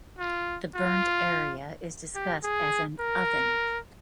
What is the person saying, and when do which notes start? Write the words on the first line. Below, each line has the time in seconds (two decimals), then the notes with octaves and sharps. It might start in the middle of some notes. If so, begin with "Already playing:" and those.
The burnt area is discussed as an "oven".
0.19 F4
0.75 F4
2.15 G4
2.43 G#4
3.00 A#4